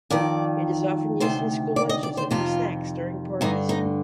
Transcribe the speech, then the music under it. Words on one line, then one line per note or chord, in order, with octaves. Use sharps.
It is often used in school lunches and for snacks during parties.
F2 D#3 D5
D2 C3 D#3 C5
D5
D#5
D5
C5
F2 C3 D#3 F4
G2 D3 D#4
D#4